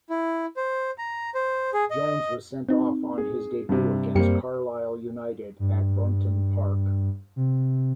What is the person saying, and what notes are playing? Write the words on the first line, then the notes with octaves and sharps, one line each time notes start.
Jones' was sent-off on his debut against Carlisle United at Brunton Park.
E4
C5
A#5
C5
G#4
D#5
C4 D#4
G#4
G2 C3
F#2 G3 A#3 C4 G4 C#7
G2
C3